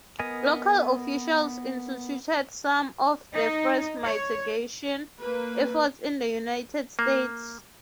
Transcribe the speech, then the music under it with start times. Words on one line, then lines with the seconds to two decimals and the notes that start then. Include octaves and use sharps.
Local officials instituted some of the first mitigation efforts in the United States.
0.19 B3 A#4 D#5 G#5
3.34 D#4
4.03 C#5
5.19 A#3 B4
6.99 A#3